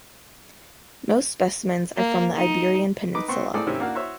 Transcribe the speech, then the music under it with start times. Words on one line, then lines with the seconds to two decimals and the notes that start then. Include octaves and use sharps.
Most specimens are from the Iberian Peninsula.
1.97 A#3
2.37 D#4
3.14 D#4 B4 D6
3.28 B3 C4 C6 C#6
3.53 A2 C4 G#4 A4 D5 D#6
3.67 C3 D#3 C4 C#4 E4
3.80 A#3 D4 F#4 F5 F#5
3.95 F#4 C5 C#5 E5